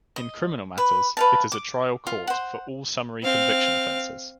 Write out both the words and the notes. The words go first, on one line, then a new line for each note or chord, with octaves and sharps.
In criminal matters, it is a trial court for all summary conviction offences.
D#5
B4
B4 F5 A5
D6
F4
C5 F#5
C4 F5